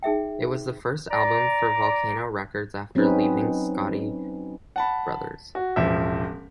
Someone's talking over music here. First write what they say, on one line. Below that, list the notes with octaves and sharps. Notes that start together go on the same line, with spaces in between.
It was the first album for Volcano Records after leaving Scotti Brothers.
D#4 G#4 E5 G5
D5 A#5
F#3 C4 C#4 D#4 B4
F#5 A5 B5
F#4
E1 A1 F3 E5